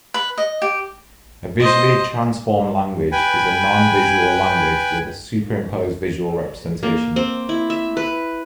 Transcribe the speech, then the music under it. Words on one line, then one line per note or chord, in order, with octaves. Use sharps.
A visually transformed language is a non-visual language with a superimposed visual representation.
B4
D#5
G4
C5 D#5
B4 G5 G#5 B5
A#3
C4
E4
E5
B4